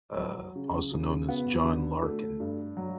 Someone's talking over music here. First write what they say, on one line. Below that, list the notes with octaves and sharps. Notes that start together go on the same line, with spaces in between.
uh, also known as John Larkin.
F#3
C#3
C#3
B3
D3
A3
G2
F#3